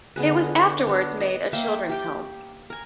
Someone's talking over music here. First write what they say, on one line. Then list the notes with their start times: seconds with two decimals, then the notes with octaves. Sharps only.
It was afterwards made a children's home.
0.16 D3 B3 G#4 B4
0.86 B3 D4
1.20 B4 D#5
1.53 A#3 E5 G5
1.89 G4 G5 D6
2.70 A#4 G#5